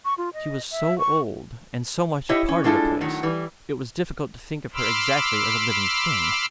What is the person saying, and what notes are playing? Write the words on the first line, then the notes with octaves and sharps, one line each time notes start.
She was so old and so much a part of the place, it was difficult to think of her exactly as a living thing.
C#6
F4
D#5
E5
C#6
E4 G4 C#5 D#5 E5
C#4
G3 G#3 D4 E4 F4 A4
A2 D#3 F#3
E3 G3
B5 C6 D6 E6 F6